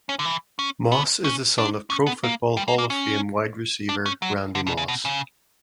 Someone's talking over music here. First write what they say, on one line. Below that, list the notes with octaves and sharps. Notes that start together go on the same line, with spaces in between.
Moss is the son of Pro Football Hall of Fame wide receiver Randy Moss.
C#4
D3
E3
C#4
B3
C#4
D4
C#4
B3
A#3
G3
A#3
A#3
C#4
D4
C#4
F#3
D3
B2
C#3
B2
C#3